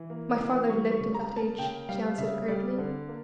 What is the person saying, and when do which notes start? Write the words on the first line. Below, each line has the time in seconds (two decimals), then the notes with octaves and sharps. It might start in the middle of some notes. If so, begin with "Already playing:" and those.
"My father lived in that age," she answered gravely.
Already playing: E3
0.10 A#3
0.40 E3
0.69 G3 C#6
0.91 C#6
1.00 C#3
1.14 A#5
1.29 A#3
1.36 A5
1.58 C#3 G5
1.89 G3 F5
2.18 C#3 E5
2.48 G3 D5
2.78 D3
3.08 A#3